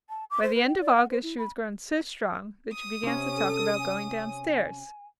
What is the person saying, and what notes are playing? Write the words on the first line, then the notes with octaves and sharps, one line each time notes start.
By the end of August she was grown so strong, that she began to talk about going down stairs.
A5
D6
C5
B4
G5
D5
F#5
C5
E4
B5
D#6
C3 C#4
A4
G#5